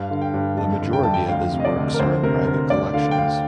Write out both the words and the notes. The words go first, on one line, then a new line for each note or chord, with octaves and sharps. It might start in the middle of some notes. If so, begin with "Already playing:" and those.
The majority of his works are in private collections.
Already playing: G2 F5
D3
G5
G2
F2 A5
D3
G5
F2 A5
G5
D2 F5
C3
D#5
D5
D2
A#4
D2 C5
C3 A#4
D2 A#4
D2 D5
D3 F5
G5
D2 F5